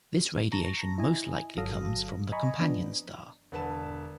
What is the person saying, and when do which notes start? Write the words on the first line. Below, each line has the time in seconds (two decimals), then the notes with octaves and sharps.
This radiation most likely comes from the companion star.
0.52 A5 A#5 C#6 A#6
0.98 E4 D#5 G#5
1.57 G1 F#3 A4 F5 D#6 A#6
2.32 D#5 G#5 A#5 B5 C#6
2.60 F3 B3 D4
3.52 E1 D3 B4 A5 E7